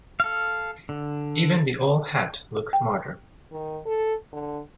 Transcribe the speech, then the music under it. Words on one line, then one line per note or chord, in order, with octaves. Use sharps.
Even the old hat looked smarter.
A4 F5
D3
G5
D#3
A4
D3